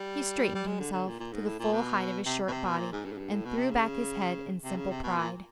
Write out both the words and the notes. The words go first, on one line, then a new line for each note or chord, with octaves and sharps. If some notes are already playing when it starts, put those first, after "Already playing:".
He straightened himself to the full height of his short body and threw back his head in simple pride.
Already playing: G3
G3
G#3
D3
D3
A#2
A#2
G#2
A2
A#2
B2
C3
B2
C3
B2
A#2
G#2
G2
G#2
G2
A2
B2
C3
C#3
C3
C#3
C3
B2
A#2